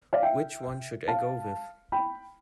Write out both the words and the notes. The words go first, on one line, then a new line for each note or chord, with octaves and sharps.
Which one should I go with?
D5 F5
E5 G5
F5 A5
G5 B5